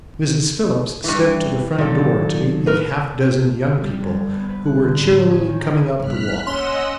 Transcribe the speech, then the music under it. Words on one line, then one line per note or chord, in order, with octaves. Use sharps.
Mrs. Phillips stepped to the front door to meet the half dozen young people who were cheerily coming up the walk.
G2 E3
A#2 D#3 F#3 A4 D5
A#4 B4
G3
G1
B3
B4
F#6
D3
A2
C#4
D#3
A#4
E2 G2 F6 F#6 B6
A#3 C#4 D#5 F#5 C6 E6